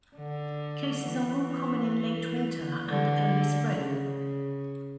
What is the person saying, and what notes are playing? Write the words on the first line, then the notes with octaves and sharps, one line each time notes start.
Cases are more common in late winter and early spring.
D3
E3
D3
C#3